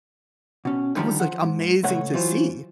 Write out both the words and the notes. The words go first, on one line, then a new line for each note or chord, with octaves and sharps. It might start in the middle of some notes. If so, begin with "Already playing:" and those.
That was, like, amazing to see.
B2 C#4
D3 D#3 F3 G3
F3 F#5
G#2
C#2 A#2 A3 C#5 F#5
E3 F#3 F4 C5